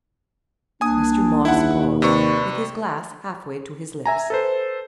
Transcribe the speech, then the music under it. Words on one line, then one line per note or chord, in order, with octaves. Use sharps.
Mr. Moss paused, with his glass halfway to his lips.
C2 A#3 D4 G#5 D#6
D#2 E4 F#5
C3 B4 D5 C#6
E5 G#5 A#5
A4 B4 C5